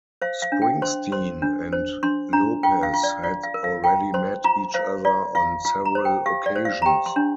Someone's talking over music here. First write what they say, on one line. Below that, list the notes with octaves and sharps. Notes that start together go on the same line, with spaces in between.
Springsteen and Lopez had already met each other on several occasions.
C5 F5
F5
D4
G5
C5 C6
C5 C6
D4
C5
D4 C6
D4 A#5
F4 G5
F5
F4
D5
F4 D5
F5
A#4
F5
F4 G5
C5 C6
F4 A#5
C5 F5
F4 D5
F4 F5
F4
A#5
C5
G5
G4 F5
D5
C5
F5
A#5
G4 G5
C6
D4